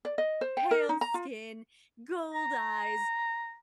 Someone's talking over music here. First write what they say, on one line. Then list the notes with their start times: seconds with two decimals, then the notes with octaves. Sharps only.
pale skin, gold eyes,
0.05 D5
0.18 D#5
0.41 C5
0.57 G5
0.71 A#4
0.89 D#4
1.01 A#5
1.14 F4
2.35 A#5